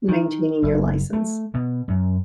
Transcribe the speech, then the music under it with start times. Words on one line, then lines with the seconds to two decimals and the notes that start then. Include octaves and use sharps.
maintaining your license.
0.08 D#3
0.62 F#1
1.13 A3
1.54 B2
1.88 F#2